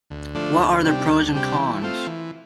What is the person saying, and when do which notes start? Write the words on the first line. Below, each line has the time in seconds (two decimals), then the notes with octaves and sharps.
What are the pros and cons?
0.10 D2
0.34 D3 F3 A3 D4
0.59 D2
0.84 C3 G3 D4 G4
1.09 D2
1.33 C3 G3 D4 G4
1.57 E3
1.82 A3 C4 F4
2.07 E3